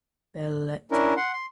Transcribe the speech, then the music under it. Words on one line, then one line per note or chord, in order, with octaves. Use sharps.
Bell et.
C#4 D4 E4 A#4
F#5 C6
C6